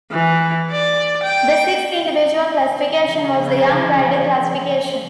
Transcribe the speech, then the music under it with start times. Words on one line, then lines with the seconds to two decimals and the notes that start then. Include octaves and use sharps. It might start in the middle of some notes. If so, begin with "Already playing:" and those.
The sixth individual classification was the young rider classification.
0.12 E3
0.71 D5
1.23 G5
3.05 C#3 F3